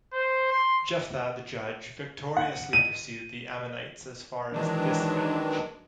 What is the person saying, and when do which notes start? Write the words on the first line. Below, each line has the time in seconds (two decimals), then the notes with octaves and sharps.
Jephthah, the judge, victoriously pursued the Ammonites as far as this village.
0.13 C5
0.51 C6
2.37 F#5
2.73 D#7
4.53 D#3 E3 F#3 G#3 D4